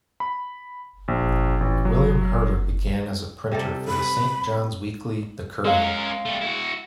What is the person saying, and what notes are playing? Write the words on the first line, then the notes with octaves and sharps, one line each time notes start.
William Herder began as a printer for the Saint John's weekly "The Courier".
B5
A#1
A1
F#3
C3 G3 A4
B5
F#3 G#3 F5
C#4 A#4
G3 A3
E4 F#4